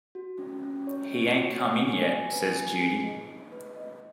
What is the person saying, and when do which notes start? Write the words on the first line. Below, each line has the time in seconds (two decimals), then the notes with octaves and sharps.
"He ain't come in yet," says Judy.
0.15 F#4
0.39 C#4
0.63 C#4
0.87 C#5
1.11 C#5
1.35 F#4
1.59 C#5
1.83 G#5
2.08 G#5
2.32 B4
2.55 G#5
2.80 G#4
3.04 D#5
3.28 D#4
3.52 B4
3.76 D#5